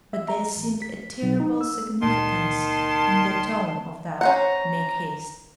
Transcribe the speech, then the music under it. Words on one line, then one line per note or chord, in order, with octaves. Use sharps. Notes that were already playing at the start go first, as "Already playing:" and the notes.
But there seemed a terrible significance in the tone of that "make haste."
E5
A#5
A1
B6
B1
D#4
E6
C#2 A#2 D#3 A5 C6
C#4 C5 F#5 A#5